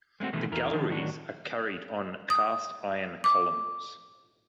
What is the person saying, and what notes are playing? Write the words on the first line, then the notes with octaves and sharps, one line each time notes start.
The galleries are carried on cast iron columns.
G#3 A3 C4 F#4
B2 D#3 E3 G#3 A3
E2 E4 A#4
D#3 F3 D4
A2 D#3 F#3 D4 F#4
D#6
D6